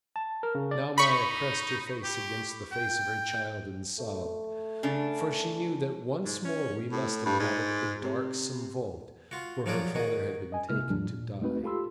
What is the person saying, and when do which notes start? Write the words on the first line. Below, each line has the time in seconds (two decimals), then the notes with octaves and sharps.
Now Maya pressed her face against the face of her child and sobbed, for she knew that once more we must inhabit the darksome vault where her father had been taken to die.
0.16 A5
0.43 A#4
0.55 C#3
0.71 D5
0.98 D#4 B5 C#6
2.04 G4
2.72 G5
3.99 A3
4.83 C#3 D4
6.25 G#2
6.45 C#4
6.92 A2
7.26 G2
7.40 G#2
8.03 C3
9.31 F4 F#4
9.66 F3 F#3 F4 F#4 G#4 D5
9.94 D#3 F#4 G#4
10.52 D#5 G#5
10.69 C3 G#3 A#3 E4 F6
10.90 D#2 G#2 F3 G3 D4
11.09 A#2
11.41 G#3 A3 C4 D#4 F#4 B4
11.64 F4 G4 A4 B5 C6 E6